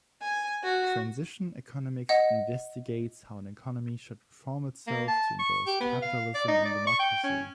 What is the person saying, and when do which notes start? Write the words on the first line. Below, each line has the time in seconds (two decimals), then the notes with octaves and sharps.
Transition economics investigates how an economy should reform itself to endorse capitalism and democracy.
0.22 G#5
0.64 F#4
2.09 D#5 F#5
4.87 A#3
5.08 A5
5.39 C#6
5.66 G4
5.80 B3
6.02 F5
6.34 D5
6.48 D#4
6.65 D5
6.87 C#6
6.99 G5
7.23 C#4